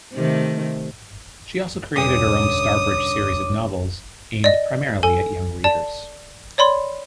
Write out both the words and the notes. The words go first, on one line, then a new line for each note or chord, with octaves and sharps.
She also created her own Starbridge series of novels, aimed primarily at young readers.
C3 D#3 A3
E2 G2 B2 D3 C#4 D6 D#6
D5 D#5
A4 G#5
D5 A5
C#5 D5 B5 C6